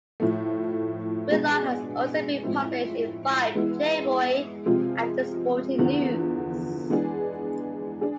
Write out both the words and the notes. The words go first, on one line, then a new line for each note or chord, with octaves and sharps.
Whitlock has also been published in "Vibe", "Playboy", and "The Sporting News".
A2 F3 A3
B2 G#3 D4 G#4
A2 F3 G#3 C4 E4
E3 G#3 B3 E4
C3 F3 G#3 C4 F4
E2 D3 F3
E3 G#3 B3 D4 G#4
D4 G#4